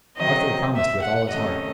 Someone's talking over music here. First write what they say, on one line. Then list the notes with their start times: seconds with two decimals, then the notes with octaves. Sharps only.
Arthur promised with all his heart.
0.18 D#3 F#3 C4 D#5
0.74 E5
1.02 F#5
1.30 C3 D#3 A3 C#4 D#5